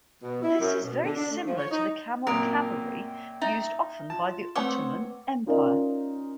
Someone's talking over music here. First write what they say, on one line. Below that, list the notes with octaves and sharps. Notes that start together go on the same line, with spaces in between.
This is very similar to the camel cavalry used often by the Ottoman Empire.
B2
E4
F#2
B2
D3
D4
A3
F3
C#5
D#4
F#2 A#2 C4 A#4 G5 D#6 D7
D#4 E5
F4 A5
A3 C4 B4 C#5 F#5 C#6 D6
C#4 D#4 F4 A#4 D5 D#5